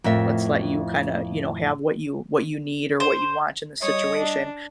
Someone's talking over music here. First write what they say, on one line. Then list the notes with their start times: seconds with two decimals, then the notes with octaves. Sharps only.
let's let you kinda, you know, have what you what you need or what you want in the situation,"
0.04 F2 A2 A#4 E5
3.00 C5
3.82 G3 C#5 D#5 D#6
4.17 D4